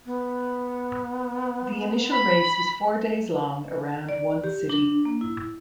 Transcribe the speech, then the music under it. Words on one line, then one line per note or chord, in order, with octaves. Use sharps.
The initial race was four days long around one city.
B3
B5
D5
G4
D4
A#3
E4